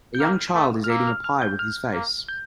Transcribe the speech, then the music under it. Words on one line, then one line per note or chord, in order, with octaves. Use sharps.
A young child is eating a pie with his face.
G6
A#3 F6
A3
F6
A#3 E6
F6
F6
G6
F6
A#3
G6